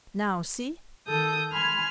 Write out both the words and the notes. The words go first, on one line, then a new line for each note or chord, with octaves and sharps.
Now, see!
D#3 A4 D#6 G6
G#5 B5 C6 F6 G#6